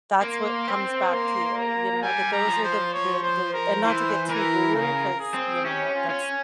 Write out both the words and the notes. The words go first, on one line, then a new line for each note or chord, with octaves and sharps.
that's what comes back to you, you know, that those are the the the and not to get too woo-woo 'cause, you know, that's
A#3 C6
C4
A#3 C6
A#5
G3 G#5
A#5
F3
C5
C#5
C5
A#4
E3 C5
E3 A#4
C#3 A#4
G#4
C4
C#4 G4
F4
C#4